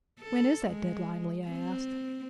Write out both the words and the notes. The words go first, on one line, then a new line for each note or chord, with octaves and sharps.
"When is that deadline?" Lea asked.
A4
G#3
C4